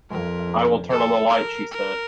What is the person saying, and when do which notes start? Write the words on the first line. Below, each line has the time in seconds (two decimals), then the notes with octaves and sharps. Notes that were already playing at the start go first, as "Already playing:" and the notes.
"I will turn on the light," she said.
0.10 F2 A#4
0.90 A4
1.30 A#4
1.71 A#4